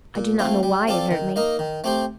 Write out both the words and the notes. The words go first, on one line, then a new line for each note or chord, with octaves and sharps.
I do not know why it hurt me.
A#2
A3 C4 F4
G3
C4 F4 A4 D5
D#3
A#3 D#4 A#4 D#5
D#3
A3 C4 G4 C5